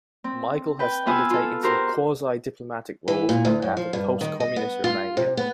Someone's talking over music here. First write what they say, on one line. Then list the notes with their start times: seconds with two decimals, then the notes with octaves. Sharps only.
Michael has undertaken some quasi-diplomatic roles on behalf of post-communist Romania.
0.24 C4
0.79 B4 G5
1.06 B3 F4 B4 G#5 E6
1.30 F4 A4
1.63 F#4 G4 A#4 C5
3.08 E3
3.29 A#2
3.45 D2
3.62 F#2
3.77 F3
3.93 G2
4.21 D#3
4.40 D#5
4.56 B3
4.84 F4
5.17 C3
5.37 B3